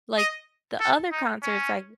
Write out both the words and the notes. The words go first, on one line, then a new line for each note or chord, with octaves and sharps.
like, the other concerts, I
D#5
A4
D#4
C#4